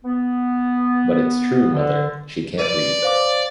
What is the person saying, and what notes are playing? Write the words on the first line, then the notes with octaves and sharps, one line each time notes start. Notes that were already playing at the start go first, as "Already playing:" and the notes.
But it’s true, mother — she can’t read.
B3
D3
B4 D5 D#7
C5 F5 D6